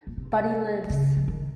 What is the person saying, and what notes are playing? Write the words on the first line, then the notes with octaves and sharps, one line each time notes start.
But he lives.
A#2
C3
C#3
F3
D#3